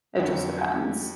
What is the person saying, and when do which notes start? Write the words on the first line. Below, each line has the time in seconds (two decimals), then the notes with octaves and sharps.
it just depends.
0.20 F2 D3 F#3